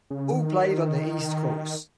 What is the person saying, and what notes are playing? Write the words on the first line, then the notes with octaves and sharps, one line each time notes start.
All played on the East Course.
C#3
D#3